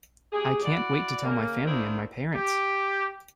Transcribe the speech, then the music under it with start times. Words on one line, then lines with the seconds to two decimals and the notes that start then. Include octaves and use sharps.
I can't wait to tell my family and my parents.
0.32 A#2 G4 G#4
0.63 E4 F#4 D5
1.24 C#3 A#3
1.65 D#3 A#3 D4 E4 C5
2.35 G4